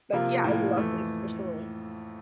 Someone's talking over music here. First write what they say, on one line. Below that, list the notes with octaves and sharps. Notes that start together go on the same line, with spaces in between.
Like, yeah, I'd love this for sure.
C3 F3 A#3 F4
A2 F3 A#3
F2 E3 A3